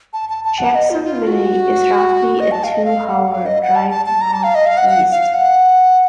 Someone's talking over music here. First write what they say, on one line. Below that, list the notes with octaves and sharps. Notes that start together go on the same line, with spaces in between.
Jacksonville is roughly a two-hour drive northeast.
A5
A5
A5
F#5
D#5
F4
F4
F#4
D#5
A5
F5
D#5
F5
F#5
F5
D#5
F#5
A5
A5
A5
A#5
A5
F5
D#5
F5
F#5
F#5
F5
F#5